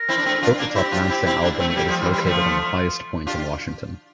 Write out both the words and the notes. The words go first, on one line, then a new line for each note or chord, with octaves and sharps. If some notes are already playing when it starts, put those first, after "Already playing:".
Built atop Mount Saint Alban, it is located on the highest point in Washington.
Already playing: A#4
C4 E4
D4
A3 C4
D4 F4
A#3 D4
C4 E4 G4
D4 F4
C4 E4
C4 E4
A#3 D4
A3 C4
A3
G3 A#3 G4
F3 A3
E3 G3 F4
E3 G3
F3 A3 F4
D4 F4 G4